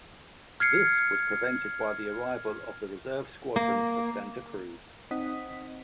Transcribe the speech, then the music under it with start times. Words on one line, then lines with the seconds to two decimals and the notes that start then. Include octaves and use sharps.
This was prevented by the arrival of the reserve squadron of Santa Cruz.
0.60 F6 G#6 C7 C#7
3.56 A#3
5.11 C4 D#4 D#5 F#5 D#6 B6